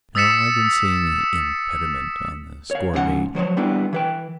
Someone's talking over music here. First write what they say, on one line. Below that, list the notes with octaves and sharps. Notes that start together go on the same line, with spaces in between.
No, I didn't see any impediment on the score of age.
D#6 E6 A6 B6 C#7 E7
C#5 F5
G#2 C#3 F3 G4 F#5
F3 F#3 C5 C#5
G3 B3 D4 E4
E3 B4 G5